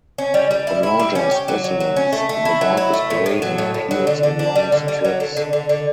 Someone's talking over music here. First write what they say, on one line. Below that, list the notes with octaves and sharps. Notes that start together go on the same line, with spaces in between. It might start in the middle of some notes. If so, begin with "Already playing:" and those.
On larger specimens the bark is grey and peels in long strips.
C#4
G3
G3
E4
E4
G3
C#4
G4
F#3
F#3
F#3
C#4
A3
A3
E4
F#3
E4
A3
A2
A2
F#3
A2
A2
F#3
D3
D3
D4
G3
D3
G3
F#3
D3
D3
D3
D3